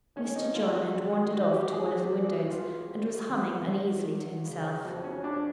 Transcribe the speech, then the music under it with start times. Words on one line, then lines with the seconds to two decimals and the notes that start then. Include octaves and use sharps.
Mr. John had wandered off to one of the windows and was humming uneasily to himself.
0.16 G#1 C#4
0.36 D#4
0.55 G#1 F4
0.75 F#4
0.95 D#3 F#4
1.34 G#2 F#4
1.53 G4
1.72 F2 G#4
1.88 F#4
1.98 G4
2.11 F2
2.25 F#4
2.50 E3 F4
2.89 C3
3.28 E2
3.67 E2
4.07 F#3
4.45 C#3
4.85 F2 F#4
5.04 C#4
5.24 F2 D4